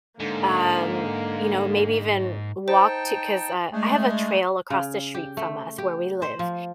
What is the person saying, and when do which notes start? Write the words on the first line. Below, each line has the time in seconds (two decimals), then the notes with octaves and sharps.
um, you know, maybe even walk to 'cause, uh, I have a trail across the street from us where we live,
0.20 G#2 D3 A#3
2.68 D#4 C5 G5 A5
3.73 G#3 A3 D4 G#4
4.70 C#3
5.15 G4
5.37 A3
5.78 G4
6.22 C5
6.39 F3